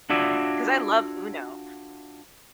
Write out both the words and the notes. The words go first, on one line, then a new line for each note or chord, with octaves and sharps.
'cause I love UNO,
D4 F4 F#4 C#5 D5 E5